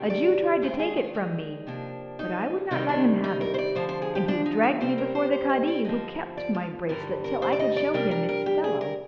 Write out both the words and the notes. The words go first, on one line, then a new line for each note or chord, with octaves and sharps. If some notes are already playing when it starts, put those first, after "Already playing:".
A Jew tried to take it from me, but I would not let him have it, and he dragged me before the kadi, who kept my bracelet till I could show him its fellow.
Already playing: C3 D#3 G3 D4
D5
D#2 D#3 G#3 D4 C5
G#4
F4
D#4
C3 F3 A#3 D4
D#4
C3 D#3 G3 D#4
D4
D#4
A#4
C5
D5
D2 D3 F3 C5
C5
G#4
G4
D4
D#4
D#4
C3 G3 C4 C5
A#4
C5
C5
D#5
D5
F2 D3 F3 D#5
D5
F4
G2 D3 G3 A#4
A#4
C5
D5
D#5
D5
C3 G3 D4 A#4
A#4
A#4
G4
G#4
A#4